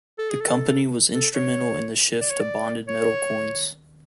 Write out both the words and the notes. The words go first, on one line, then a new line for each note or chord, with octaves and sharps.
The company was instrumental in the shift to bonded metal coins.
A4
G#4
A4
A4
C#5
D5
C#5
D5
C#5